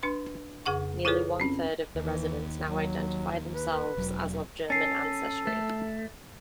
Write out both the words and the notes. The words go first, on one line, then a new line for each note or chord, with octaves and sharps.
Nearly one-third of the residents now identify themselves as of German ancestry.
D4 B4 C6
F2 C#3 G#4 F#5 C#6
E4 F4 G#4 A4 B4 C#5
C4 C#4
D#2 E3
F#3
B4
E1 F#3
C#4 A4 A6 C7
A3